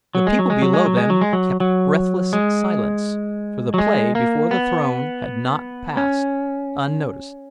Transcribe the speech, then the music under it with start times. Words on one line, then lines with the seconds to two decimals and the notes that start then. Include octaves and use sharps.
The people below them kept breathless silence for the play before the throne had not passed unnoticed.
0.15 F#3
0.27 G#3
0.39 F#3
0.50 G#3
0.62 F#3
0.74 G#3
0.86 F#3
0.97 G#3
1.10 F#3
1.21 G#3
1.33 F#3
1.60 F#3
2.33 G#3
3.74 F#3
3.78 G#3
4.15 A#3
4.51 B3
5.97 C#4